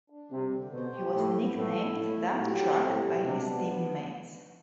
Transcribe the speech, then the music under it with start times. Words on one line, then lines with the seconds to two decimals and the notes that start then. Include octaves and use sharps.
He was nicknamed "Dump Truck" by his teammates.
0.10 D4
0.31 C3 G3
0.51 D3
0.73 B2 C5
0.93 G4
1.15 A2 E4
1.35 B3
1.57 A2 A4
1.77 E4
1.98 A2 A3
2.19 F#3
2.40 A2 G4
2.61 C4
2.83 A2 G3
3.04 B2
3.24 C3 D4
3.45 B3